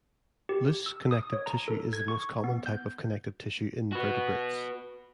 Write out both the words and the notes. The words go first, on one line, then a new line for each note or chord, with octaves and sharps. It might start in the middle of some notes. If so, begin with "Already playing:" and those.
Loose connective tissue is the most common type of connective tissue in vertebrates.
G4
E6
D#6
C#5
A#5
A4
G#6
C#6
B3
G6
F#4 B4